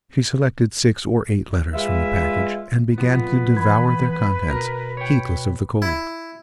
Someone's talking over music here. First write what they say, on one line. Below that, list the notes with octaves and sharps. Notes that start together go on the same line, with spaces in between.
She selected six or eight letters from the package and began to devour their contents, heedless of the cold.
G#3 F4 B4 E5
F2 G#2 B3 F4 B4
E3 B5 G#6
B2 A#4
C#5 G5
E4